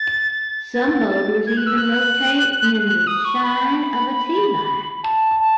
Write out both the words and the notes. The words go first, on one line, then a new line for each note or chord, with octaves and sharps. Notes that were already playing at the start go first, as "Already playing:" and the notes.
Some motors even rotate in the shine of a tealight.
Already playing: A6
A6
A6
A6
G#6
F#6
E6
F#6
F#6
D#6
C#6
B5
A5
A5